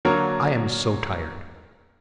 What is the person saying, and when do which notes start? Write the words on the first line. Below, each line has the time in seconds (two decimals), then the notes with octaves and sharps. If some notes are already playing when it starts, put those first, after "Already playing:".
I am so tired.
0.05 D3 F#3 A#3 A#4 C#5